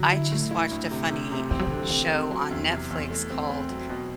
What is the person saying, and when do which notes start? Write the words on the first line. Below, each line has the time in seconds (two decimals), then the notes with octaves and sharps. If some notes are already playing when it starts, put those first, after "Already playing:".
I just watched a funny s show on Netflix called
Already playing: D3 F#3
0.12 E4
0.31 A2
0.51 E4
0.71 D2
0.91 C3
1.11 C3
1.31 C3
1.51 E3 C4
1.59 F#3
1.67 D3 E3
1.90 C4
2.10 C4
2.31 F#3
2.51 E2
2.70 C3
2.90 E2
3.10 A3
3.30 C4
3.50 C4
3.70 F#3
3.89 B2